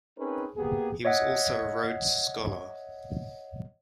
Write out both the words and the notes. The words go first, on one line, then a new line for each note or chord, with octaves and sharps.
He was also a Rhodes Scholar.
C4 C#4 D#4 G#4 A#4 B4
A#3 B3 G4 G#4
C#5 D#5 E5 F#5